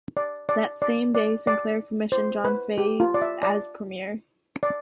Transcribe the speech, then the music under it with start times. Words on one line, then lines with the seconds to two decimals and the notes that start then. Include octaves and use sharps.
That same day Sinclair commissioned John Fahey as Premier.
0.17 D5
0.49 D5
0.82 D5
1.15 D5
1.47 D5
2.12 C5
2.45 B4
2.78 G4
3.00 F4
3.14 D5
3.22 E5
3.43 D5
4.63 D5